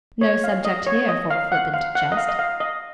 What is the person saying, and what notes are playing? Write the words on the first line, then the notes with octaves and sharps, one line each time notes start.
No subject here for flippant jest.
C#5
F5
D#5
C#5
D#5
F5
F#5
F5
F#5
D#5
F5
D#5
F5
D#5